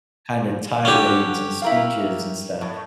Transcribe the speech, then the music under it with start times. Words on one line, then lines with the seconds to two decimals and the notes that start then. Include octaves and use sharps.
kind of tirades and speeches and stuff,
0.85 D3 F#3 C#4 G4
1.62 E4 A#4 F5
2.61 A2